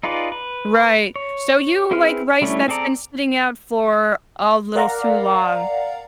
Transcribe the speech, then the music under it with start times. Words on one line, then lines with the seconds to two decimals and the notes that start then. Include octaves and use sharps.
Right. So you like rice that's been sitting out for a little too long.
0.03 D#4 F4 G#4 B4 D5
0.32 B4
1.16 C#5
1.91 C4 E4 G#4 B4 F6
2.42 G3 A3 C#4 D4 E4
2.68 C4 G#4 A4 D5 A#5
4.75 A#4 D5 F5 F#5 A#5